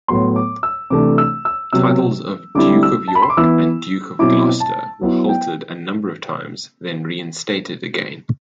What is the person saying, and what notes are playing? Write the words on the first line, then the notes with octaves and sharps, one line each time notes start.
Titles of Duke of York and Duke of Gloucester were halted a number of times, then reinstated again.
A2 F#3 B3 C6
D6
E6
C3 E3 A3 D4 D6
E6
E6
C3 F#3 B3 E6
D3 G3 C4 E4 D6
E6
A5
B5
C6
D6
E3 B3 E4 E6
B2 F#3 C4 E4 D6
A5
F#3 B3 E4
G5